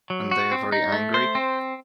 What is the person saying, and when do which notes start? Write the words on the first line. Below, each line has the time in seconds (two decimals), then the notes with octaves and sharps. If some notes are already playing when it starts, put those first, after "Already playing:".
And they are very angry?
0.10 F#3
0.31 F#4
0.51 C4
0.72 D#4
0.93 A3
1.14 C5
1.35 C4